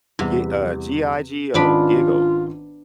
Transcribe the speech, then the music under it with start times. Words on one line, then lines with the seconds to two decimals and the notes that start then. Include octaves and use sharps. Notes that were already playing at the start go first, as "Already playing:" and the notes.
g uh, G-I-G-O, GIGO.
0.19 E2 C3 G3 F#5
1.54 G#1 D#3 B3 C#4 D4 F4 B5